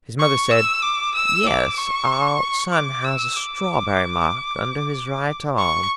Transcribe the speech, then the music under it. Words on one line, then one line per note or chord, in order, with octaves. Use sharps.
His mother said, 'Yes, our son has a strawberry mark under his right arm.'
C#6
E6
D6
E6
D6
C#6
D6
E6
D6
C#6